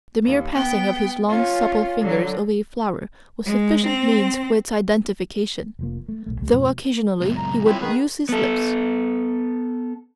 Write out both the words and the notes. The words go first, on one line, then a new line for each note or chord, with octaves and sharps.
The mere passing of his long supple fingers over a flower was sufficient means for its identification, though occasionally he would use his lips.
D#2
B3 G5
C#4 F4
D3 F#3
G#3
C4
F1 F3 A#3
A3
A#1 E2 A3
C#2 G3 A3
F2 G#2 B2 F3
C#2 F#2
A#5
F3 C4 C#4 E4 B5
D#3 B3 G#4 B4
B3 A4